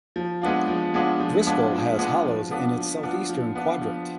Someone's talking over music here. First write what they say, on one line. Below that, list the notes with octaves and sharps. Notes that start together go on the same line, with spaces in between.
Driscoll has hollows in its southeastern quadrant.
F3
G#3 B3 D4 F4
F3
G#3 B3 D4 F4
F3
G#3 B3 D4 F4
F3
G#3 B3 D4 F4
F3
B3 D4 F4
F3
B3 D4 F4
F3
B3 D4 F4
F3